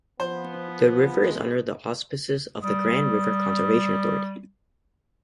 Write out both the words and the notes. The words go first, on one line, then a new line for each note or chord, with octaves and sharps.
The river is under the auspices of the Grand River Conservation Authority.
F3 B3 C5
G#3
G3 D#6